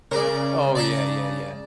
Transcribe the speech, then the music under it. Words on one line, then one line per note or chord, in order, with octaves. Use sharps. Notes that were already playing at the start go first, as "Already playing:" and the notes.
Oh, yeah, yeah, yeah.
C#3 A#4 D5
D5 A5 A#5